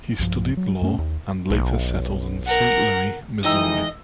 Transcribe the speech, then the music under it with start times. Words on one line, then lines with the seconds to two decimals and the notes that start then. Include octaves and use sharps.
He studied law, and later settled in Saint Louis, Missouri.
0.19 B1 G2 F3
0.57 F#3
0.82 F#2 A3 C#4
0.98 D#2
1.50 B1
2.47 A#4 F#5
3.45 E3 G#3 D#4 D#5 G5 E6